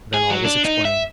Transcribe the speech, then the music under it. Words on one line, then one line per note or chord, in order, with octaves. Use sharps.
Then all was explained.
G#4
F#3
D4
D#4
E5